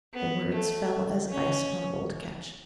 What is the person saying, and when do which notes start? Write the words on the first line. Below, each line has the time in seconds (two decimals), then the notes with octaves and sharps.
The words fell as ice on old Ketch.
0.14 B3
0.52 A3
1.29 C#4